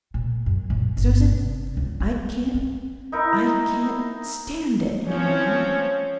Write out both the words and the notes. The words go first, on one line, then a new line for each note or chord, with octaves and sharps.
"Susan, I can't! I can't--stand it," he moaned.
A#2
F#2
A#2
G1
C3
C#2
D#4
C4
D#4 E4 A#4
F3 C4 C#4 C#5